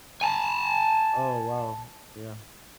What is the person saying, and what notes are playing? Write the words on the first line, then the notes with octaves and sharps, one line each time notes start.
Oh, wow, yeah.
G#5 A5